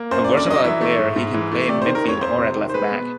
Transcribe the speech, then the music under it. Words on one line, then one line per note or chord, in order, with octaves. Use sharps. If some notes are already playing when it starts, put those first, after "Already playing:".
A versatile player, he can play in midfield or at left-back.
Already playing: A#3
F#2 C5
D5
D3
D5
F#3 D#5
E3 E5
A3
G#2
G#2
E3
A3
C3 D5
C5
D#3
A#4
F2 C#5
F2 C5
C3
D#3
C5
G#3 B4
B2